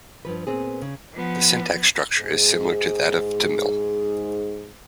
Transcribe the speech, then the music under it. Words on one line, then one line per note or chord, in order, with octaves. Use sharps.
The syntax structure is similar to that of Tamil.
G2 F3 B4
A#2 B3 C4 G#4
C#3
F3 B3
G#2 G#4